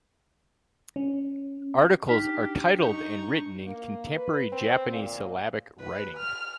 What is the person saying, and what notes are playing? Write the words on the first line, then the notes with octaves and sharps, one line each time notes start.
Articles are titled and written in contemporary Japanese syllabic writing.
C#4
D4 D#4 G4 F6 B6
D#4 C#6 G6
A#3
B4
C4
A#2
B4
F6